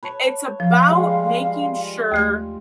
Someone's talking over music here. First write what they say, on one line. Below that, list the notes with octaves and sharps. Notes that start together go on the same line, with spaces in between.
it's about making sure
B4 C#5 A5
F3 F5
G3 G#3 F4
D#2 A3 G#6